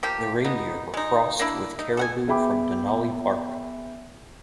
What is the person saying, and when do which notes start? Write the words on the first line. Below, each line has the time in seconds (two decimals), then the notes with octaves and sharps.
The reindeer were crossed with caribou from Denali Park.
0.03 F3 A#3 G4
0.45 B3 D#4
0.94 G#3 D#4
1.39 A#3 D4 E4
1.79 D#4
1.97 A4 F#5 G#5
2.27 B3 G#4 E5 G5 B5 D6